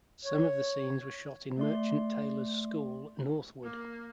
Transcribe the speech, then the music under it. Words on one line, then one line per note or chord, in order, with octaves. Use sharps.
Some of the scenes were shot in Merchant Taylors School, Northwood.
C#5
A3 D5 C6
A#3